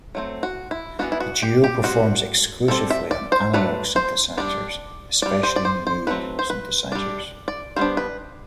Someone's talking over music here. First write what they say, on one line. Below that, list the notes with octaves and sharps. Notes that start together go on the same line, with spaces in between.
The duo performs exclusively on analog synthesizers, especially Moog synthesizers.
F#3 A3 C4
F#4
E4
E3 G3 B3 D4 F#4
E4
F#4
G4
G4
G3 C4 F#4
G3 C4 A4
E5
D5
C5
F#3 A3 D4 B4
C5
G3 D4 D5
G3 D4 D5
C5
D5
C5
C5
F#3 A3 C4 B4
C5
B4
G3 D4 D5
D5
G3 B3 D4 C5
B4